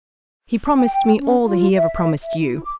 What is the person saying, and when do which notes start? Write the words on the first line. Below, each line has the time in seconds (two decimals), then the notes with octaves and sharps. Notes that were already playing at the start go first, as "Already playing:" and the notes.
He promised me all that he ever promised you.
0.76 G5
1.20 C#4
1.44 F4
1.76 E5
2.24 E5
2.38 E4
2.64 D6